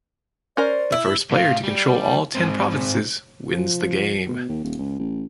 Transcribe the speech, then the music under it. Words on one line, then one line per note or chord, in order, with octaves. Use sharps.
The first player to control all ten provinces wins the game.
C#4 A#4 C5 D5
E4
A2 F5
G3
G#2 C4
F3
B2
D#2
D#1
C#2
A1